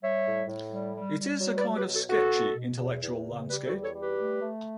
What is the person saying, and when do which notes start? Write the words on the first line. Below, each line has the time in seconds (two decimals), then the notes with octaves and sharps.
It is a kind of sketchy intellectual landscape.
0.01 G3 C#5 E5
0.25 A2
0.48 A2
0.71 G3
0.95 G3
1.17 G3
1.40 F#3
1.57 B4 D5
1.64 F#3
1.75 G4 B4
1.87 B2
1.93 F#4 A4
2.10 B2 F#4 A4
2.34 B2
2.56 B2
2.80 E2
3.03 E2
3.25 C#3
3.49 G3 G4 B4
3.66 F#4 A4
3.72 E2
3.83 A4 C#5
3.95 G3
4.01 G4 B4
4.19 A3
4.42 A3